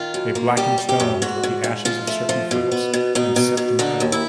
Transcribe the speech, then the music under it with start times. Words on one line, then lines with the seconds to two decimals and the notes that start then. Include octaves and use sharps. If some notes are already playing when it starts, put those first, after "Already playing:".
They blacken stones with the ashes of certain fruits and set them out.
Already playing: D#3 F4
0.14 F#2
0.35 A#3
0.57 G3 G4
0.78 G3
0.89 G4
1.00 F#2
1.22 G#2 F#4
1.43 G#2
1.64 G#2
1.85 F3 F4
2.07 A3
2.29 F3
2.51 B2
2.72 B3
2.93 B2
3.15 B2 D#4
3.36 B2
3.57 B2
3.79 D3 D#4
4.00 D#2
4.12 E4